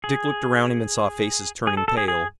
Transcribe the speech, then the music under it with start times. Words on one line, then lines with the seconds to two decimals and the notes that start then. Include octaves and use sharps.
Dick looked around him and saw faces turning pale.
0.04 G#4
1.67 G#4
1.77 A4
1.88 A4
1.97 G#4
2.08 G#4